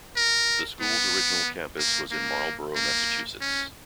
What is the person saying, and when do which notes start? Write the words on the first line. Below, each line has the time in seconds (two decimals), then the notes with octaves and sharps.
The school's original campus was in Marlborough, Massachusetts.
0.16 A#4
0.81 B3
1.79 A#3
2.12 A#3
2.76 A#3
3.40 C#4